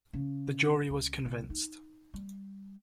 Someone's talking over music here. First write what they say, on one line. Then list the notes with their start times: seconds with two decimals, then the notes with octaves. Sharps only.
The jury was convinced.
0.13 C#3
0.90 C#2
1.26 C2
1.50 D#4
2.14 G3